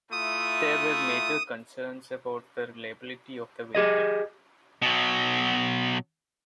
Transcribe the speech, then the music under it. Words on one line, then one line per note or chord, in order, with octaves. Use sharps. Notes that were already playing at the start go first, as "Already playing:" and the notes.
There were major concerns about the reliability of the vehicle.
A3 E4 F4 D#6
G4 G#4 D#5
B2 F#3